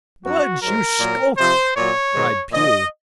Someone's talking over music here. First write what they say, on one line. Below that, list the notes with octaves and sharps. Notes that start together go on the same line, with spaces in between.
"Budge, you skulk!" cried Pew.
F#2 F3 F#4
G#2 F#3 A#4
A#2 F#3
C3 F3 C5
A#2 F#3 C#5
G#2 D#3 F#3
A#2 F3 D#5